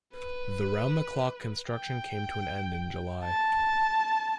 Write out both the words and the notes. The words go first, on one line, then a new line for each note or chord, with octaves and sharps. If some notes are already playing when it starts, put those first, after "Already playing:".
The round-the-clock construction came to an end in July.
B4
G5
A5